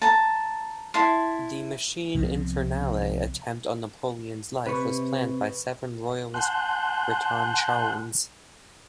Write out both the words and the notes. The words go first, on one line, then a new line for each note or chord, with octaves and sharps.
The "machine infernale" attempt on Napoleon's life was planned by seven royalist Breton chouans.
A5 A#5
E4 A5 C6
C2 F3 B3 C4
C3 B4 C#6
F#5 G#5 A5 C6 F#6 G6